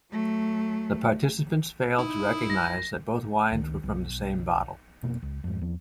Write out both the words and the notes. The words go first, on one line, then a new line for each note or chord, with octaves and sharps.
The participants failed to recognize that both wines were from the same bottle.
F#3 A3
D#4 E4 D#6
A#6
C#2 D#3
B1
F1 B2 A#3
C#2
F2 G#2
E2 F3